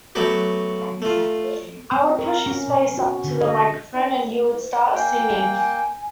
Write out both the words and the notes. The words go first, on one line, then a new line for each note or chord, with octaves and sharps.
I would push his face up to the microphone and he would start singing.
F#3 A3 B3 F#4 G4
A3 F4
C4
A#4
C#4
B2
F#4
D3
D#5
A#3 G5 G#5